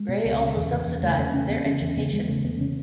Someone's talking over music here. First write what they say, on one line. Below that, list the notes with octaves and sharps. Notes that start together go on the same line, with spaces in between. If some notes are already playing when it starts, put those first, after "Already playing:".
Gray also subsidized their education.
Already playing: G#3
B2
C#2
C#3
E2
C#3
E2
C#3 A3
E2 A3
C#3 C#4
E2 B3
C#3 C#4
E2
C#3 B3
E2 G#3
C#3 A3
E2 B3
C#3 C#4